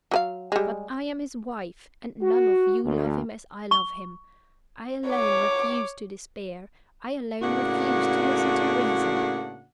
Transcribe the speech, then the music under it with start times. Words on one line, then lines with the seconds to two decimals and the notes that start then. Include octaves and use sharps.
But I am his wife; and none of you love him as I love him. I alone refuse to despair; I alone refuse to listen to reason.
0.11 F#3 B4 F5
0.52 G3 G#3
2.22 F#4
2.84 D2
3.71 C#6
5.10 C#5 D6
7.42 A2 C#3 A#3 D4 F#4 F#5